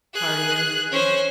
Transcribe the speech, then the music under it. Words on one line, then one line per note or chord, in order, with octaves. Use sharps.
Cardio? No.
G#4 F#6
C#4 C5